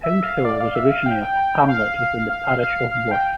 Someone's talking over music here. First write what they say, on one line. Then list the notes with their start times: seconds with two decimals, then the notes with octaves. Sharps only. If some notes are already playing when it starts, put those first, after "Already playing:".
Pound Hill was originally a hamlet within the parish of Worth.
0.03 E5
0.23 F5
0.45 D5
0.60 F5
0.75 E5
0.90 F5
1.06 G5
1.68 F5
2.29 F5
2.60 F5
2.91 F5
3.11 G5